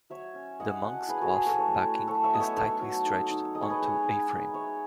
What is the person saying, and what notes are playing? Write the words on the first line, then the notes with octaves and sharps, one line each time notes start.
The Monk's cloth backing is tightly stretched on to a frame.
F#3 C#5 E5
C#4
E4 D#5 F#5
F#3 F#5 A5
E4 G#4 B4
F#4 A4
E4 G#4
F#4 A4
A3 A4 C#5
A3
F#3 A4 C#5
C#5 E5
B3 D#5
C#5 E5
D#4 A4 C#5
F#3
D#4
D#4
G#3 D#5
C#5
B4 D#5
G#3
D#4
D#4
G#3 C#5 E5